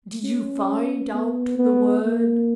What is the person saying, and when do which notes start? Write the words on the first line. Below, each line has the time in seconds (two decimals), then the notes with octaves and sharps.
"Did you find out the word?"
0.24 C#4
1.13 B3
1.58 B3
2.03 A#3